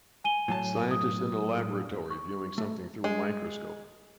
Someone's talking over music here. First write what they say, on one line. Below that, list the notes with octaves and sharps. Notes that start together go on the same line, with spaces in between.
Scientist in a laboratory, viewing something through a microscope.
G#5 D#7 G7
A2 F#3 A5
D#6
C#6
A3
G#3